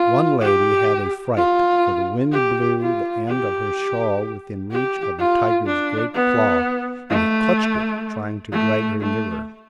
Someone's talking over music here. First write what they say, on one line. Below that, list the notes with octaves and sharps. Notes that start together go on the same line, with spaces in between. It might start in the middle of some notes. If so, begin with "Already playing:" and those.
One lady had a fright, for the wind blew the end of her shawl within reach of a tiger's great claw, and he clutched it, trying to drag her nearer.
Already playing: F4
G4
F4
G4
F4
G4
G4
F4
D4
B3
A3
A3
A3